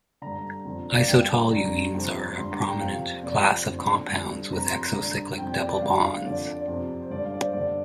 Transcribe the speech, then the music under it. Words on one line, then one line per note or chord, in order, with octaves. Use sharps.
Isotoluenes are a prominent class of compounds with exocyclic double bonds.
G2 D3 A#5
F2 D3
D5
F5
G2 D3 G5
G2 D3 A#5
F2 C3
G2 D3 C6
A#5
G5
F2 C3 F5
F2 C3 D5
F2 D3
G2 D3
F2 C3 A#5
C6
A#5
G2 D3
F2 C3 G5
D5
D5
G2 D3 F5
F5
F2 D3 D5
D5
F2 C3
C5
G2 D3 D5
F5
D5
C5
G2 D3 D5